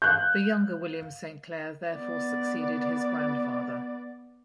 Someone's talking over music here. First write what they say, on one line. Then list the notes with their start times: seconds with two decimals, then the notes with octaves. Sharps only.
The younger William St Clair therefore succeeded his grandfather.
0.02 F5 F#6 G6
1.95 B3 D5